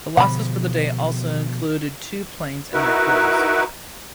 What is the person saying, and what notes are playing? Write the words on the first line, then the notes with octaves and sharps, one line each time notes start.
The losses for the day also included two planes and their crews.
B2 D3 F3 F#5 B5
D#4 E4 F#4 A#4 B4